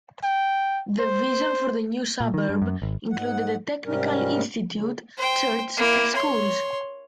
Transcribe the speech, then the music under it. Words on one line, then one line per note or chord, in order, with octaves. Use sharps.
The vision for the new suburb included a technical institute, church and schools.
G5
C5
A#2
D#3
G2
F#2
G#1
G#2 F#5
G#2 C3 G3 C#4 A#4
C#3
C5 G5
A#3 E4
C#5 C6